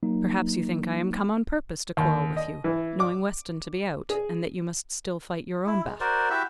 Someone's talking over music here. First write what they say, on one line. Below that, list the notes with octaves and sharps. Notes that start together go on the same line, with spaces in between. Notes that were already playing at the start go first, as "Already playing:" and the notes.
"Perhaps you think I am come on purpose to quarrel with you, knowing Weston to be out, and that you must still fight your own battle."
F#3 A#3 D#4
D#2
D#5
E3
D6
G#4
E4
G#3
F#4 A#4 C5 D5
E4 F#4 G4 E5